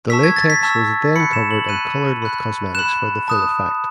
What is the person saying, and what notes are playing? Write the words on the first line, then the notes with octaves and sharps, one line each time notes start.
The latex was then covered and coloured with cosmetics for the full effect.
A5 C#6 E6 B6
G#6
A6
B6
A5 C#6 E6
B5 F#6 C#7
E7
F#7
B5 F#6 D#7
B5 F#6
B5 F#6 E7
A5 D#6 F#6